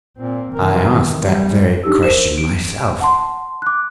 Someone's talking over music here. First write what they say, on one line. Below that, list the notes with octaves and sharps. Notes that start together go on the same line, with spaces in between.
I asked that very question myself.
A#2 C4
C3 E3 A#4
D#3
G3
D4 D#4 G4 E6
A#4 C5 E7
D7
F#5 A5 C6
D6 F#6